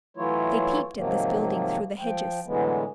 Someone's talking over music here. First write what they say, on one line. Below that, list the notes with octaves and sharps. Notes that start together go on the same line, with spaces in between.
They peeped at this building through the hedges.
E3 F#3 A3 E4 F4 C#5
G#2 C3 D#3 F3 F#3 A#3
F3 G5
A2 D3 E3 F#3 G#3 B3